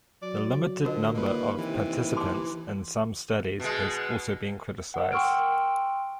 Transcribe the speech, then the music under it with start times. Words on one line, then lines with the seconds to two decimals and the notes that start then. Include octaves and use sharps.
The limited number of participants in some studies has also been criticized.
0.22 F#3 D5
0.85 D3 F3 F#4 A#4 D#5
1.15 D#2 A#2 A#3 B4
1.58 C3 E3
2.16 A5 C6 D6
3.60 B2 G#3
4.94 A#4 F#5
5.12 G5 C6 C#6 E6 F6 D7